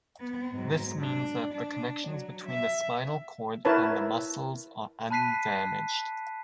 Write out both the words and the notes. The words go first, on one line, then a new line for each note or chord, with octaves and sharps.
This means that the connections between the spinal cord and the muscles are undamaged.
B3
G#2 F#3
D4
D4
F#3
E5
E4 A#4 B4 C#5 A5
A5 B5 F#6 B6 C7 D#7